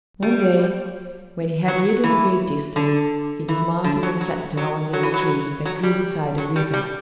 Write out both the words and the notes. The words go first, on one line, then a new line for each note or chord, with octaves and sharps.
One day when he had ridden a great distance, he dismounted and sat down under a tree that grew beside a river.
G3
F#3
E3
D3
E3
D3
F#3
F#3
F#3
F#3
E3
F#3
F#3
G3
F#3
G3
G3